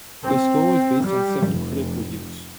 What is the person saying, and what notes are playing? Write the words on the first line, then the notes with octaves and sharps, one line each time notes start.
The score was based on seven critic reviews.
C4
G3
F1